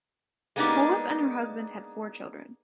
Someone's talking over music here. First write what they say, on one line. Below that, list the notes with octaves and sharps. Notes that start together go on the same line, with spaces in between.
Polis and her husband had four children.
G#3 A#3 B3 D4 D#4 G4